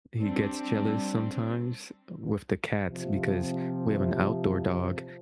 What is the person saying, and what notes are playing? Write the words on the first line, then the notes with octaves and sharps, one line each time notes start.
he gets jealous sometimes with the cats because we have an outdoor dog,
G3 C4 D4
C3 F3